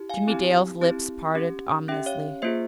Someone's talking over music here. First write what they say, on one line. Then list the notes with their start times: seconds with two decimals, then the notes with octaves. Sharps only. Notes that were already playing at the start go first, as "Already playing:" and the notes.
Jimmie Dale's lips parted ominously.
Already playing: E4 G4
0.10 F5 G#5
0.28 C4 E4 G4
0.82 C4 E4 G4
1.35 C#4 G4
1.88 C#4 G4 E5 G5
2.06 C#5 F5
2.42 A#3 F4 G#4 C5 E5